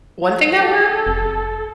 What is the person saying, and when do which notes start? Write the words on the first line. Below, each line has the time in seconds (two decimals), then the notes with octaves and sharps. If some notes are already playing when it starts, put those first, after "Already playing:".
One thing that worked
0.56 A4
1.07 F1